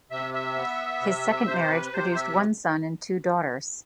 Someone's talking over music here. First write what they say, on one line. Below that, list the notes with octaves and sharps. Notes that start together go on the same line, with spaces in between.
His second marriage produced one son and two daughters.
C3 E5
E5
B3
C3
C3 C5
B4
C3 C5
E5